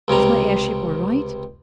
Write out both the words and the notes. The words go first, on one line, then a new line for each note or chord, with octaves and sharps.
"Is my airship all right?"
C#2 C3 G3 A#5